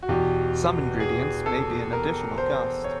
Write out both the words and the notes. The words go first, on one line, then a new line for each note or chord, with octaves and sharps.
Some ingredients may be an additional cost.
F#4
E2 B2 G4
G#4
A4
A#4
C5
C#5